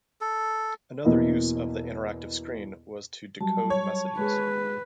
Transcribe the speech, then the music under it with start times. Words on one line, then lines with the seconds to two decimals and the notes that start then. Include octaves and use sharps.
Another use of the interactive screen was to decode messages.
0.21 A4
1.05 E2 B2 A#3 E4 D#5
3.41 F#3 G3 A5
3.70 C#5
4.19 G#3 G#4 B4